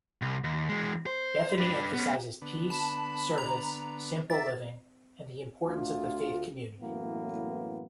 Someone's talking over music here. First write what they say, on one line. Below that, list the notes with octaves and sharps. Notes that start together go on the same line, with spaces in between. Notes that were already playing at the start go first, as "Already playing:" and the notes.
Bethany emphasizes peace, service, simple living, and the importance of the faith community.
C2
D#2
E3 G#3
C5
D4 B4
B3 C#4
D3 B3
A5 B5
A#5
D5 E5 A6
D2 F4
F#2 A2 E3 A#3 B3